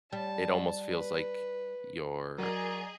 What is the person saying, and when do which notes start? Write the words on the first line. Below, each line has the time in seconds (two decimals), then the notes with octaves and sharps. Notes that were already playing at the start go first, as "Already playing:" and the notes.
"it almost feels like you're
0.12 G3 A5
0.90 B4
2.38 F#3 G#4 A#4 D5 D#5 A#5